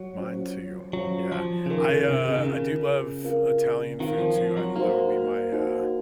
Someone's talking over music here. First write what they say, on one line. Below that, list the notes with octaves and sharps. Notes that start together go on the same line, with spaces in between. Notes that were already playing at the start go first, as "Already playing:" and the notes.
Mine too. Yeah. I, uh, I do love Italian food too. I've that would be my uh,
Already playing: F#3
C#4 F4 C5
F#3 C#4 F4 C5
F3
C#3
D#3 C#4 F4 A#4
C#3
C3
C#3
D#3
C#3 C#4 F4 A#4
C4 F4 A#4 F5
D#3 C4 F4 A#4 F5
F3
F3
F#3
A#3 D#4 F#4 C5
D#4 F#4 C5